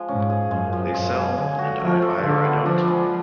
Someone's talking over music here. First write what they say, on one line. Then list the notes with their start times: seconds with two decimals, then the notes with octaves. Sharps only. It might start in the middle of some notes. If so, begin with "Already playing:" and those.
They sell and I buy or I don't.
Already playing: F3 G#3
0.08 G#2 C#4
0.30 G#4
0.51 F#2 G#3
0.73 F3
0.94 F#2 G#3
1.15 G#4
1.37 D3 G#3
1.59 F#4
1.80 F3 A3
2.02 A4
2.23 D3 F4
2.45 B3
2.66 F3 D4
2.88 G#3